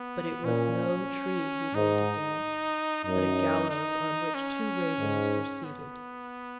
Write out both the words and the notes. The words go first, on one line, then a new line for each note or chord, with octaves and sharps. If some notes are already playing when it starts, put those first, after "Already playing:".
But it was no tree he leant against, but a gallows on which two ravens were seated.
Already playing: B3
A#2 C#4
G#2 D#4
F#2 D#4
D#4
C#4
G#2
B3